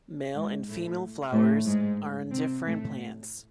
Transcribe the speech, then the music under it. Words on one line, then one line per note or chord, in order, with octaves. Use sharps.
Male and female flowers are on different plants.
G#2 G#3
A2 A3
A2 A3
G#2 G#3
C3 C4
A2 A3